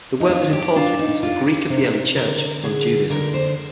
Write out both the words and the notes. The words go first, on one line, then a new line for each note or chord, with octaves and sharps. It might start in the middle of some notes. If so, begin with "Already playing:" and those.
The word was imported into the Greek of the early Church from Judaism.
D#4
D4 F4
G4
D4 F4
D#4
D4 F4
A#4
C3 C5
A#4
D3 A#4
D3 G#4
D3 A#4
C5